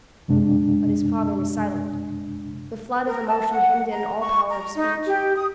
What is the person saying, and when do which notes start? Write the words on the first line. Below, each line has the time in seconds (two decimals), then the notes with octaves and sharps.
But his father was silent; the flood of emotion hemmed in all power of speech.
0.28 F#2 C3 G#3 D4
3.07 A#4
3.28 A5
3.51 F#5
3.92 A#5
4.19 C#6
4.50 A#5
4.74 D#4
5.06 G4
5.36 D#6